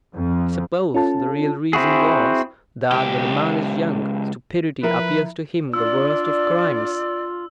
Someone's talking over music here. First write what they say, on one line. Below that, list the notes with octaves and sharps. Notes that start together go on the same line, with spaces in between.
I suppose the real reason was, that when a man is young stupidity appears to him the worst of crimes.
F2
C#4 F4 A4 A5
C4 E4 F#4 G#4
C#2 G4
F3 E4 A#4 B4
D4 F4 D5 E6